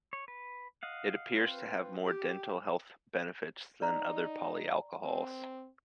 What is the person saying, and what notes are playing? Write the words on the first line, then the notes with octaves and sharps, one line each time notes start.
It appears to have more dental health benefits than other polyalcohols.
C#5
B4
D#5 F5 F#5
C4 F4 B4
G4
D#4 D5 A#5
C4